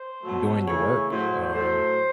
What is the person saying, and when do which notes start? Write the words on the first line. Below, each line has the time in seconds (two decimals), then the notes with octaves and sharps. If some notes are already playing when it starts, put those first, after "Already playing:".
doing your work, um,
Already playing: C5
0.22 B2 F#3 A3
0.66 C#3 E3 A3 C#5
1.10 A2 F#3 A3 C5
1.53 A2 F#3 A3 C5